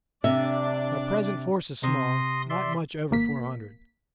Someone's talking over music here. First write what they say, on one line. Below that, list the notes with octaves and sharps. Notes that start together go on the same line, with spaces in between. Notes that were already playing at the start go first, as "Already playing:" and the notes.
My present force is small--not much over four hundred.
C3 D4 D5 E5
C3 C6 D#6 A#6
D5 E5 C6
G#1 A#3 B6